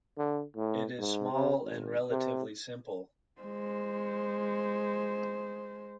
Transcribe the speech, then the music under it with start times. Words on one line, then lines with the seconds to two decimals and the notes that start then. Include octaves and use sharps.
It is small and relatively simple.
0.18 D3
0.56 A2
0.99 G#2
1.32 C3
1.62 G#1
2.11 C3
3.41 G#3 C5